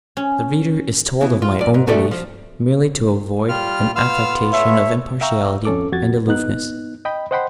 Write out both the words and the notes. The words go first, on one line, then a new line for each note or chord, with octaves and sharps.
The reader is told of my own belief merely to avoid an affectation of impartiality and aloofness.
C#4
B2 E3
F4
F2 D5
G#2
F2 A3 F#4 A4 D5 E5
F3
G3 F4 F6
B3 F4 F5 E6 F6
A3 C#5 E5
E5 F5 G5 A#5 C#6 E6
F2 C#4 A4 D6
F2 F#4 G#6 A6
B3 D#4 F#6
D#5 G5 B5
C5 D#5 F#5 G5 B5 C6